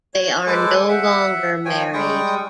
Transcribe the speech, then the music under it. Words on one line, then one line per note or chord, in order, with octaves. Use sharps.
They are no longer married.
C#5
G#3 A4 B4 C5 G#5 D6
E5 F#5
F3 C#5 G5 G#5
G3 G#3 G5 C#6 D#6